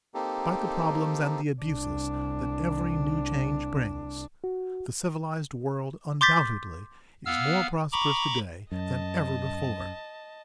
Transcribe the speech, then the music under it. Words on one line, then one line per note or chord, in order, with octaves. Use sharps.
Despite the problems and the abuses that every new change brings, the civilized world undoubtedly is more prosperous to-day than ever before.
A#3 C4 D#4 G4 A4
C2 D4
F#4
C6 D6 G6 A6 B6
B3 F5 E6 F6
A#5 B5 C#6 D6
F#2 D#5 A5